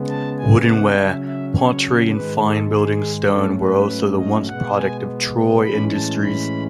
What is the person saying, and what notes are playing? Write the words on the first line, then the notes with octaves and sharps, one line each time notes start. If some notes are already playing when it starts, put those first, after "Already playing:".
Wooden-ware, pottery and fine building stone were also once the products of Troy industries.
Already playing: C#3 G#3 B3
A5
G#5
F#5
C#3 F#3 C#4 E5
E5
C#5
G#2 D#3 G#3 B4
A4
G#4
G#2 F#3 A3 C#4 A4
B4
D#5
B2 G#3 B3 F#5
G#5
A2 E3 G#3 C#4 B5
A5
B5